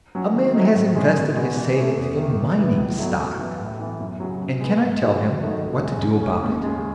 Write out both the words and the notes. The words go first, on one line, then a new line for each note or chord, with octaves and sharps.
A man has invested his savings in mining stock, and can I tell him what to do about it?
F#3 C#4
D#3
F#3 A3 D#4
A2
G#3 C#4 G#4
B2
G#3 B3 F#4
E3
A3 C#4 G#4
E2
D#3 A3
E3
B3 E4
C#2
B2 F#3 A3 E4
F#2
E3 B3 E4
A2
E3 B3
F#2
C#3 F#3
B2
G#3 B3
G#2
D#3 G#3 D#4 F#4
F#2
D#3 A3 D#4 F#4
C#2
C#3 G#3
C#3
G#3 C#4
D#2
C#3 G#3